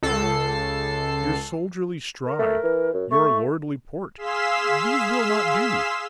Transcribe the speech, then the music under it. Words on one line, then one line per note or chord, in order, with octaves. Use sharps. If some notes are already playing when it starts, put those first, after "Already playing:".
Your soldierly stride, your lordly port--these will not do.
C#2 A4 C7
A#4
A3
E3
F#2
A3 C#6
G#4 F5 C6 E6 B6 E7